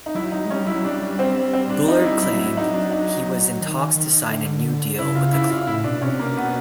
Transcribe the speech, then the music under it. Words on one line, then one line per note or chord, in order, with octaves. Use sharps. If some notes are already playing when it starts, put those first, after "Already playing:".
Bullard claimed he was in talks to sign a new deal with the club.
D#4
F#3 E4
F#3 D#4
G#3
G3 C#4
F#3 E4
G3 D4
C4
C4
D4
D#4
E4
F#3 E4
E4
D#4
D4
D#4
D#3
D#3
D3
C#3 E4
F4
E4
F4
A2 E4
B2 D4
C3 C#4
B2 A#3
B3